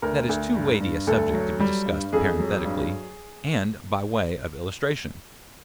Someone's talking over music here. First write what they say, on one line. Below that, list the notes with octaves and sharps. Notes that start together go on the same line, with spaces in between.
That is too weighty a subject to be discussed parenthetically, and by way of illustration.
D2 A#4
D2
G2
G2
D2 A4
F#3
G3
G2
F2 G#4
F#3
G2